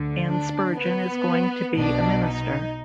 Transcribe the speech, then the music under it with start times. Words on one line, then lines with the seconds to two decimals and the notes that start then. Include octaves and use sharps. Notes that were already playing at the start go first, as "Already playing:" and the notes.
Ann Spurgeon is going to be a minister.
Already playing: D2 D3
0.27 D4
0.77 B3
1.76 B1 B2 D4
2.25 D#4